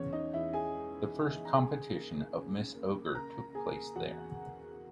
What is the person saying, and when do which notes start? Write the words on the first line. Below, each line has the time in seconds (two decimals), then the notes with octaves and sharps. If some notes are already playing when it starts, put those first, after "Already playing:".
The first competition of "Miss Ogre" took place there.
Already playing: E2 C#4 C#5
0.13 D#4 D#5
0.33 E2 E4 E5
0.53 G#4 G#5
0.74 G#3
1.14 G#3
1.45 A#5
1.53 C#3 G#4 G#5
1.94 A#3
2.34 C#4
2.75 A#3
3.15 C#3 A#4 A#5
3.55 A#3 G#4 G#5
3.96 E2 F#4 F#5